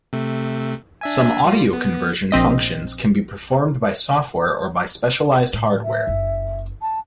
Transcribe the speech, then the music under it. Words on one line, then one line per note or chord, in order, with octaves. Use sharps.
Some audio conversion functions can be performed by software or by specialized hardware.
C3 A3
D4 E5 G#5
G3 F4
B3
A#1 C4 D#5 B6
A2
E5
F#1
A5